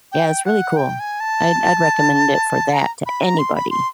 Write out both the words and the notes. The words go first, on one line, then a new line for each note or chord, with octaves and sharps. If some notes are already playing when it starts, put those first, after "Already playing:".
Yeah, it's really cool. I'd I'd recommend it for that to anybody.
G5
F#5
G5
G#5
A5
A#5
B5
A#5
C6
B5
C6